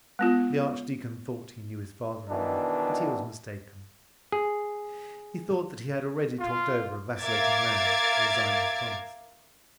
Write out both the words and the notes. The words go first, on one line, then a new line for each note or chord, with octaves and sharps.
The archdeacon thought he knew his father-in-law, but he was mistaken; he thought that he had already talked over a vacillating man to resign his promise.
G#3 B3 F4
B2 D#3 E3 D4
G#4
F4
A#4 E5 F5 D6 G#6 A6